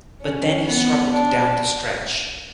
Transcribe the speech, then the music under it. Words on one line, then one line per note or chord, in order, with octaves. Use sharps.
But he then struggled down the stretch.
C#4
B3
D4